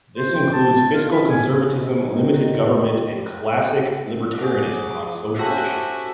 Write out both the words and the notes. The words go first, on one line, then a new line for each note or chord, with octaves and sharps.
This includes fiscal conservatism, limited government, and classic libertarianism on social issues.
C5
G5
A5
F4
B5
G#5
G#2
D#3
E2
D#3
G4
G#4 C#5 F#5 D6
C#4 F#4 G4 A4 C5 E5